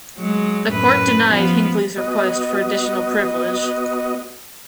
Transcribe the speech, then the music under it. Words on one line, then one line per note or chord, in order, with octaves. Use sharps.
The court denied Hinckley's request for additional privileges.
F#3 G#3
F#2 A2 B4
F3 B3
B3 F#4 D#5